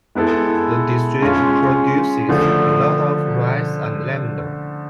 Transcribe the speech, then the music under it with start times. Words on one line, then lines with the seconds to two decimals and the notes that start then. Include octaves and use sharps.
The district produces a lot of rice and lavender.
0.15 G#3 B3 E4 A4
1.22 G#3 C#4 F4
2.29 D3 F3 A3